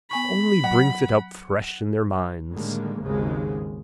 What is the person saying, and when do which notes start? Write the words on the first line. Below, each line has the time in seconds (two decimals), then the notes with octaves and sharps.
It only brings it up fresh in their minds.
0.11 B3 G#5 B5 C#6
0.64 F#3 F#5
2.52 A2 D3 D#3 G3 G#3 A#3
3.01 G#1 D#2 G#2 C#3 G#3